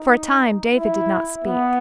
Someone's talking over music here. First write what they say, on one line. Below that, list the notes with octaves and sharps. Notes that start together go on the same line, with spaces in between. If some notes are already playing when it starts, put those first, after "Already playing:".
For a time David did not speak.
Already playing: D#4
E4
B3